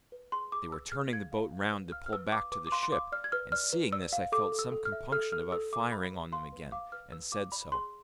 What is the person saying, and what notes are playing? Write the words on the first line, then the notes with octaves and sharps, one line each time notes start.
They were turning the boat round to pull back to the ship, and seeing this I felt some compunction about firing on them again, and said so.
B4
G#4 C6
G#4 D6
B4 E6
G#4 F6
F5 G#6
F5
F5
B4
F5 F6
F6
B4 E6
F5 D6
B4 D6
D6
F5 C6
C6
F5 D6
D5 F6
G#6
B4 F6
D5 F6
B4
D5 E6
F5
A4 D6
A4
E6
A4
F6
E5
A4 F6
A4 F6
A4 E6
E5 D6
F5 B5
B4
F5 C6
B4
F5 D6
B4 F6
B4 E6
F5 D6
D5 B5
G#4 C6